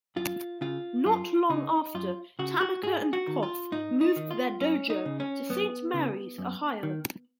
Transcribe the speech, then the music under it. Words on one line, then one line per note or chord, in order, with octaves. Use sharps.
Not long after, Tanaka and Poff moved their dojo to Saint Marys, Ohio.
F#2 F4
C#3 F4
F#2 F4
C#3 D#4
F#2 F4
C#3 F#4
F#4
G#2 G#4
F#4
D#3
F4
G#2 D#4
D#4
D#3
F4
F#2 C#4
D#4
C#3
C#4
F#2 B3
C#3
F#2
D#3